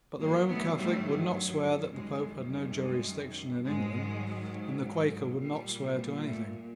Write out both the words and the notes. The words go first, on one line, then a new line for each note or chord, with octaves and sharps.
But the Roman Catholic would not swear that the Pope had no jurisdiction in England, and the Quaker would not swear to anything.
G2 D#3 F#3 G#3 A#3
A3 B3
G3 A3
F#2 D#3 G3 G#3
G#3
G#2 D#3 F#3 G#3
A#2 G3
G3 A3